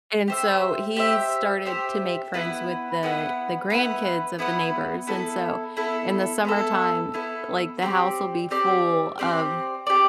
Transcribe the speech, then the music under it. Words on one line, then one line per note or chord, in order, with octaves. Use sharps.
And so, he started to make friends with the the grandkids of the neighbors and so, in the summertime, like, the house will be full of
G4 C5 E5
G4 C5 E5
G4 C5 E5
B3 E4 B4 F#5
B3 E4 B4 F#5
B3 E4 B4 F#5
B3 E4 B4 F#5
B3 E4 A4
B3 E4 A4
B3 E4 A4
B3 E4 A4
C4 G4 D5
C4 G4 D5
C4 G4 D5
C4 G4 D5